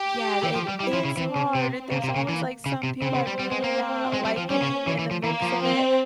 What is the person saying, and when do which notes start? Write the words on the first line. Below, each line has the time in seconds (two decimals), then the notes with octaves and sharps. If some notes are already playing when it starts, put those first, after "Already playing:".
Yeah, th it it's hard, it there's always, like, some people I'm really not liking in the mix of it.
Already playing: G4
0.43 E3
0.56 F3
0.68 G3
0.80 G3 E4
0.93 F3
1.05 C#3
1.17 E3 C4
1.36 C#3
1.55 C3
1.91 C#3 A#3
2.04 C3
2.16 C#3
2.29 E3
2.66 C#3
2.83 C3
3.02 C#3 C4
3.14 C#3
3.27 G3
3.39 G3 C4
3.52 G#3
3.64 A#3
4.14 G#3
4.25 G3
4.37 F3
4.50 G3 C#4
4.62 C#3
4.87 E3
4.99 E3
5.11 F3
5.24 E3 A#3
5.42 F3
5.61 C4